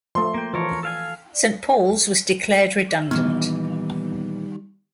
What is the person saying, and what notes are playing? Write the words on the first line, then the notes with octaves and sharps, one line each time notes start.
Saint Paul's was declared redundant.
F3 A3 C6
A#3 G5
E3 F3 A4 A#4 C#5
A4 F5 G#5
A#2 D#3 E3 G3 B3 D#4